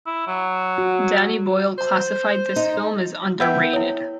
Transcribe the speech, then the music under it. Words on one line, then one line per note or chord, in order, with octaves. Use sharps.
Danny Boyle classified this film as underrated.
E4
F#3
F#4
C5
D#4
B3 E5 G5
E4 C#5